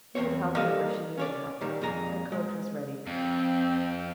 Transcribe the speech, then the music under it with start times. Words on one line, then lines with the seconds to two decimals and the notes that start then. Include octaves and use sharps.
He would help her where she needed help; her coach was ready.
0.15 E2 G2 C4 C#5
0.56 G3 A#3 D4 A4 D#5 F5
1.18 C#4 C#5 D5
1.61 A#2 D#3 G3
1.81 F2 A#2 G#4 A#5
2.32 G#3
3.07 F2 C4